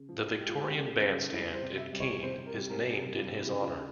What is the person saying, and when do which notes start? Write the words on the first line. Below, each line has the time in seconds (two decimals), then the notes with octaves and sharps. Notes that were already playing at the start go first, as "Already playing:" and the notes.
The Victorian Bandstand in Keene is named in his honor.
Already playing: C#3
0.09 F3
0.39 G#3 G4
0.48 F4
0.58 G4
0.70 C#3
1.01 C#3
1.31 G3 E4
1.54 C5
1.62 C3
1.77 E5
1.93 G3
2.00 C#5
2.23 C3 C5
2.46 A#4
2.54 G3
2.69 A#4
2.84 C3
2.92 G#4
3.15 G3 F4
3.39 E4
3.46 C#3
3.62 F4